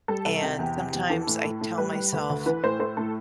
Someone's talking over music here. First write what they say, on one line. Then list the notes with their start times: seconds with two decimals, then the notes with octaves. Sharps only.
And sometimes I tell myself,
0.08 G3 A4
0.25 C2 A4
0.42 C3 G4
0.59 E2
0.76 C3
0.93 E2
1.10 E3 A4
1.27 A2
1.44 A2
1.61 A2
1.78 G3 B4
1.95 G3
2.12 D2
2.29 D2
2.46 E3 B4
2.63 A2 C5
2.79 A3 C5
2.97 A2 A4